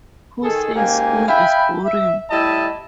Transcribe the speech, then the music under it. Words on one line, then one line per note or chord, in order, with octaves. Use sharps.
Who Says School Is Boring?
D#3 G#4 A4
G#2 C#3 A#3 G4 G#5
E5 F5 G5 G#5 B5
E5
A2 G3 E4 D#5 E5 A5